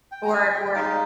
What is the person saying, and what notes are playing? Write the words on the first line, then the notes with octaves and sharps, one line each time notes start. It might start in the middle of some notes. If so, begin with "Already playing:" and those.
or or
G5
A#5
G#5
G5
G#3 D#4 F5